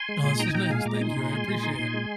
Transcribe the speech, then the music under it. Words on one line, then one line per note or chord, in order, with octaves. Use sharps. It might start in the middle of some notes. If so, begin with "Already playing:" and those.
No, this was nice. Thank you, I appreciate it.
Already playing: G#5 C6
G#3
A#2
D#4 G5 A#5
G#5
A#2 G5 A#5
G#3 F5 G#5
A#2 A#5 D6
D#4 G#5 C6
A#2
G#3
A#2
D#4
A#2
G#3